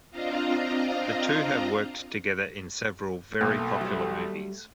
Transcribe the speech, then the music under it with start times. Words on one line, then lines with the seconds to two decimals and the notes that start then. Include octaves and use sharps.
The two have worked together in several very popular movies.
0.11 C4 D4 F4 D#5 F5 A#5
3.41 B1 A3 A#3
3.81 F#3 G3